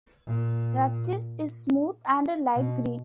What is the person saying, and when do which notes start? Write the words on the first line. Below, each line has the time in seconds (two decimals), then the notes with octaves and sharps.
Rachis is smooth and light green.
0.27 A#2
2.56 B2